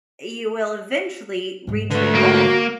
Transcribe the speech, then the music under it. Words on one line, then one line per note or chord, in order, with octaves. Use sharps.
you will eventually reach your goal,
G#2 G#3
D3 A3 B4
A#3 F#4